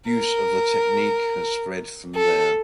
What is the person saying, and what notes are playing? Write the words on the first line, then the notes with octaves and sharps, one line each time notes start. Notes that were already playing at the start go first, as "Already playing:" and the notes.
Use of the technique has spread from there.
A#4
A4